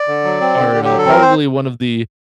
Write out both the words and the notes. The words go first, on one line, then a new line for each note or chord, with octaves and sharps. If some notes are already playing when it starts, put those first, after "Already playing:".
are, uh, probably one of the
Already playing: D5
D3
F#3
C4
D3
D3 G4
F#3 G4
A4
C4 A#4
C5